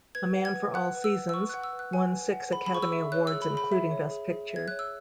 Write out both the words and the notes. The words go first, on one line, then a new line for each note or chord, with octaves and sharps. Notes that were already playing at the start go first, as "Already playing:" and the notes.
"A Man for All Seasons" won six Academy Awards, including Best Picture.
B4 G#6
F#5
G#6
B4
F#5 F#6
B4
E6
F#5
E6
B4 C#6
F#6
F#5
E6
B4
F#6
F#5 G#5
B4
F#5
G#4 B5
B5
G#4 C#6
E6
E5
C#5 F#6
E6
G#4
B5
G#4
B5
E5
C#5
G#4
G#4
E5
G#6
C#5 F#6
E6